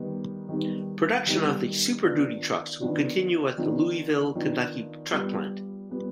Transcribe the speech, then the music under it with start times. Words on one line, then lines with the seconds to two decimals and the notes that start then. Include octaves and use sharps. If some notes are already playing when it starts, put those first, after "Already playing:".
Production of the Super Duty trucks will continue at the Louisville, Kentucky truck plant.
Already playing: D#3 G3 B3 D#4
0.49 D#3 G3 B3 D#4
1.27 D#3 G3 B3 D#4
2.04 D#3 B3 D4 F4
2.81 D#3 B3 D4 F4
3.58 D#3 B3 D4 F4
4.35 D#3 B3 D4 F4
5.12 G3 B3 F4
5.89 G3 B3 F4